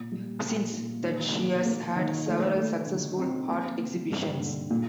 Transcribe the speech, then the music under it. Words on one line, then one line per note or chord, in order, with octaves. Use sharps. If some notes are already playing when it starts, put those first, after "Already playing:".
Since that she has had several successful art exhibitions.
Already playing: A#2
G3
A#2
A#2
D#3
A#3
A#3
D#3
A3
A3
D3
C4
A#3
A#3
G2
D3
A#2